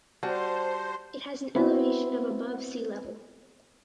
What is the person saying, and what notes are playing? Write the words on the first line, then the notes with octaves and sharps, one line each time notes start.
It has an elevation of above sea level.
G3 F#4 C5 A5
B3 C4 E4 F#4 B4